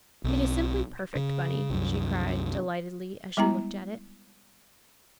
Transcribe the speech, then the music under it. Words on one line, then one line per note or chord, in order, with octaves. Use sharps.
"It is simply perfect, Bunny," she cried, delightedly, as she looked at it.
B1 C4
C#3
C2 F#2
G3 G#3 B3 E4 A#5